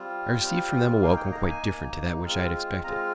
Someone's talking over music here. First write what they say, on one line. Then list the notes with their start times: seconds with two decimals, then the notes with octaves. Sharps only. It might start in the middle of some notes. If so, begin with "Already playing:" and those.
I received from them a welcome quite different to that which I had expected.
Already playing: G3 C4 F4
0.41 G3 C4 F4 G5
0.56 G5
0.71 G5
1.02 A#3 D#4 F5
1.17 G5
1.32 A#5
1.47 G#5
1.62 A#3 D#4
2.24 G#3 C4 F4
2.83 G#3 C4 F4 A#5